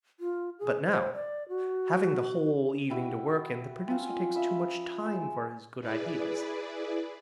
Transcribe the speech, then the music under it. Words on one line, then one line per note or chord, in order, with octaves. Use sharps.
But now, having the whole evening to work in, the producer takes too much time for his good ideas.
F4
G#4
C5
D5
F#4
G3 E4 F#4
C4 C#4 F4 F#5
D#5
F3 D#5 E5 B5
G#3 E6
E4 G#4 B4 D5